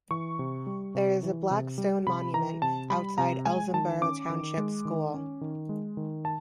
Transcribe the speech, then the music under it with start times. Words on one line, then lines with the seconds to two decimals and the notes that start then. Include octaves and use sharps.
There is a black stone monument outside the Elsinboro Township School.
0.11 E3 C#6
0.39 C3
0.67 G3
0.95 C3
1.23 E3
1.51 C3
1.78 G3
2.07 C3 B5
2.34 E3 A#5
2.62 C3 A5
2.90 G3 B5
3.18 C3 A#5
3.46 G#3 G#5
3.74 D#3 A5
4.02 C#4 D6
4.30 D#3
4.58 G#3
4.85 D#3
5.14 C#4
5.41 D#3
5.69 G#3
5.97 D#3
6.25 A5